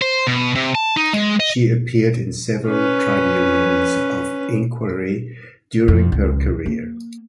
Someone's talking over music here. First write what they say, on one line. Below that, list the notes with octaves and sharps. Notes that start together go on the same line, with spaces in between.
She appeared in several tribunals of inquiry during her career.
C5
B2
C3
A5
D#4
G#3
D#5
C#4 B4
F2
C#2
A#3